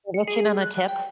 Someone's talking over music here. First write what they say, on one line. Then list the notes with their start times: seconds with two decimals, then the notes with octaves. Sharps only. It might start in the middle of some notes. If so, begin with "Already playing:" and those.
let you in on a tip.
0.14 C#7
0.27 G#4
0.61 F#6
0.88 G5